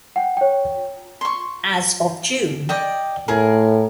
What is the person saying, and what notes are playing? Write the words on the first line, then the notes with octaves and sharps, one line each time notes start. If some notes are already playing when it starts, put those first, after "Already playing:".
As of June.
F#5 G5
C#5 G5
C6 C#6
D5 D#5 G5
A2 G#4 A#4